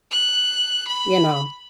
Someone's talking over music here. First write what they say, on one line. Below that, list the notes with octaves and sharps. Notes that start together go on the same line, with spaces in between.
you know,
F#6
B5